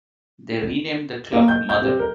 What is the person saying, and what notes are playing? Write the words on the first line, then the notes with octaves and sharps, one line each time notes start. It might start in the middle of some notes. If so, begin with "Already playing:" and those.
They renamed the club Mother.
A#3
G6
G6
C3
A#4